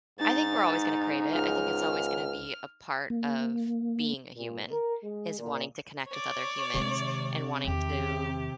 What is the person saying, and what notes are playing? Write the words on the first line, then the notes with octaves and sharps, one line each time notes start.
I think we're always gonna crave it, I think it's always gonna be a part of being a human, is wanting to connect with other humans and wanting to
G#2 D#4 A6
C#2 F6
A#3
A#2
A#4
G#3
A#2
C#5 D5
C3 D#3 G#3
E2 D#3 G4